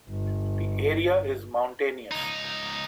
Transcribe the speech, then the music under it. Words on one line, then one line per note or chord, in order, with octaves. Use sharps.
The area is mountainous.
G1
C#2 D#4